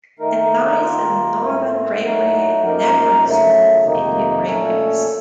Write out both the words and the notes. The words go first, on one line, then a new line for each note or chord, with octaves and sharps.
It lies in the Northern railway network zone of Indian Railways.
D#3 A3 D#4 A#4
D#3 A#3 F4 A#4
A2 A3 C4
F#3 A3 D#4 F#4
F#2 F3 A#3 D#4 A#4
C#3 F#3 A3
F2 C3 D#3 A#3 D#4
A#2 A3 C#4 A4 C#5